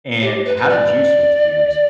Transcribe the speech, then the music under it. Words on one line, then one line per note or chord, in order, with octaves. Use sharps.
and how did you switch gears?
G4
B4
B4
D5